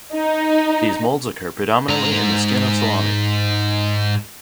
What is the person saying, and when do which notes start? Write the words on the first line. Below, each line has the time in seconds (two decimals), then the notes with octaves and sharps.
These molds occur predominantly in the skin of salami.
0.14 D#4
1.89 G#2 A#5